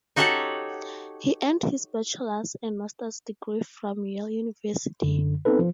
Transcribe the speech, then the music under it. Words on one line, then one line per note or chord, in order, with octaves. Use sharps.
He earned his Bachelors and master's degree from Yale University.
D#4 F#4 G4 A4 C#5 F#5
F#2 D3
B3 C4 D#4 A4 B4
F3